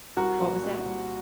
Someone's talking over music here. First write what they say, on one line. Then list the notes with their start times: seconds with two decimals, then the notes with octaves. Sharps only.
What was that?
0.17 C2 F#4 A#4
0.40 A#2
0.63 A#2
0.86 C2